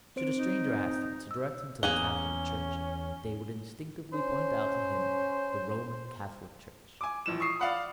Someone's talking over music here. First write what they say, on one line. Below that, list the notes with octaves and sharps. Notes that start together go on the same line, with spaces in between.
Should a stranger ask them to direct him to the Catholic Church they would instinctively point out to him the Roman Catholic Church.
C4 C5 D7
D#4
E6
E2 A#3 C#4 G#4 F#5 G7
C#4 C5
G#5 D6
A#1 E3 E7
C#6 D#6 C7
D5 F5 F#5 B5